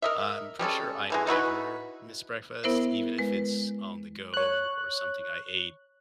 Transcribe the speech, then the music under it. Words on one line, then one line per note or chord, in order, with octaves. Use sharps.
I'm pretty sure I never miss breakfast, even if it's on the go or something I ate
A#4 D#5 E5
G3 G#3 C#4 A4
D3 E3 G#3
D#4 E4 F#4 B4
B3 E4 A#4 C5 E5
G#3 B4
C#5 F#6